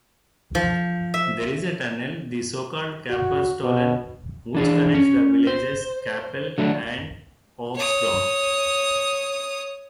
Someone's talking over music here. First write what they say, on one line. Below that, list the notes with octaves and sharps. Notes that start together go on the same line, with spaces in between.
There is a tunnel, the so-called Kapplerstollen, which connects the villages Kappel and Hofsgrund.
F3
E5
F#4
B2
E3 D4 G#4
C#4
C5
D3 F#3 A3 D4
C#5 D#6